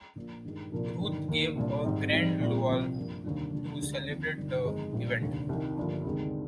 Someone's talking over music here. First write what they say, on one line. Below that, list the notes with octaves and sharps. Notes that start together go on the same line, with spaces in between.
Ruth gave a grand luau to celebrate the event.
A#1 A#2 F3
G2 D#3 G#3
C2 A#2 F3 A#3 D4
G1 G2 D#3
D#2 D#3 A#3
C2 A#2 G3 D4
G#1 G#2 G3 C4 D#4
G#2 G3 C4 D#4
A#1 A#2 G3 C4 F4
C2 C3 F3 C4
G2 F3 A#3
F1 D#2 D3 G3 D4
F1 D#2 D3 G3 D4
D2 D3 G#3 D4
D#2 D3 F3 C4 F4
G1 G2 D#3 G3
G1 F2 D#3 G#3 D#4
A#1 A#2 G3
F1 D#2 D3
C2 C3 D#3
G1 G2 F3 A#3
D2 C3 D#3 G#3